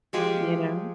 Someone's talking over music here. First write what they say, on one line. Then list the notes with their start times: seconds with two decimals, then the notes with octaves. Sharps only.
you know?
0.13 F3 G#3 G4 G#4